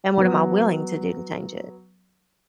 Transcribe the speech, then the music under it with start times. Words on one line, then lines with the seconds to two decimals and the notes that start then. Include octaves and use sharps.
and what am I willing to do to change it?
0.18 F#3 B3